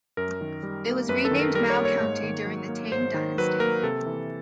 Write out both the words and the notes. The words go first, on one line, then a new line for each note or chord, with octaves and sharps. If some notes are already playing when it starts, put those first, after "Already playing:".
It was renamed Mao county during the Tang Dynasty.
F#2 A#4
D#3
G3
A#3
F#2 B4
A4
D#3
A#4
G3 A#4
C#5
A#3
C#5
G#2
D#3
F#3
A#3
G#2 C5
D#3
F#3 B4
A#3 A#4
C3 A4
E3